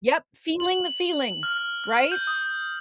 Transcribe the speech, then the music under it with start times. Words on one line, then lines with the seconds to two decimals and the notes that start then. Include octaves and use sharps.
Yep, feeling the feelings, right?
0.60 F#7
1.43 F6
1.84 F6
2.12 G6
2.27 D#6